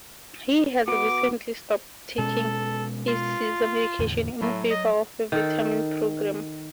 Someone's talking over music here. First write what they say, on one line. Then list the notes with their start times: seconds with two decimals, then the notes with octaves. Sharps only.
He had recently stopped taking his seizure medication in favor of a vitamin program.
0.88 B3 F#4 D6
2.18 B2 G#3 C#4 A4
3.08 F4
3.99 E2 A2 D3
4.42 A2 F#3
4.70 D#5
5.32 D#3 A4